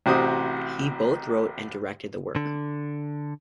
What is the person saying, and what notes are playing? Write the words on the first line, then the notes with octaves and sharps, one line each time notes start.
He both wrote and directed the work.
A1 C3 F#4 C5 D#6
D3